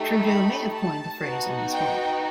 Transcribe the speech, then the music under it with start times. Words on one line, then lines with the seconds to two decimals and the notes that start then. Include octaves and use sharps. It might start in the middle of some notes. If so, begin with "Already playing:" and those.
Trudeau may have coined the phrase on the spot.
Already playing: A3 D#4 G4
0.20 B5
0.70 A5
1.21 B3 D#4 F#4
1.71 G5